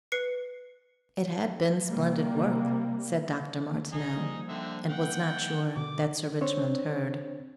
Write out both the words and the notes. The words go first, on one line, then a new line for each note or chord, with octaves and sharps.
"It had been splendid work," said Dr. Martineau, and was not sure that Sir Richmond heard.
B4 C7 C#7
C3 G3 A#3
A#1 C#3 D#4 G#4
F3 G3 A#3
D3 C4 E5
F#5 G5
B2 D3 D6
C4 D4 C5 C#5